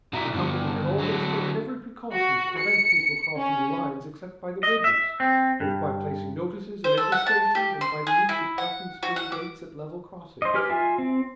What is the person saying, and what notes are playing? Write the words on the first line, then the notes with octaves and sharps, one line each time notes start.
The company had always taken every precaution to prevent people crossing the lines except by the bridges, both by placing notices in every station and by the use of patent spring gates at level crossings.
B2 E4 F#4 E5 A#5
G2 D3
D3 F#3
F#4
C#7
C#4
D#5
E5
C4
G2
C5
A4
F#5
A5
G4
C6
G#4
E4
F#5
F#4
F#5
D6
C5 D#5
G#3 G4 B4 F6
F4 E5 G#5
C4